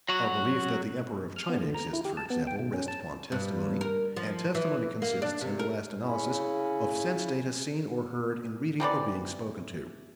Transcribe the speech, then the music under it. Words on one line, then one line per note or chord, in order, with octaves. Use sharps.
Our belief that the Emperor of China exists, for example, rests upon testimony, and testimony consists, in the last analysis, of sense-data seen or heard in reading or being spoken to.
F#3 F#4
F6
B3
D3
A#5
E4
G4
A5
B3
G5
B2
C#4
A5
G2
A#4
F3
E3
A#3
D4
C3
A#4
C#3 C#4 E4
C3 E3 B3 D5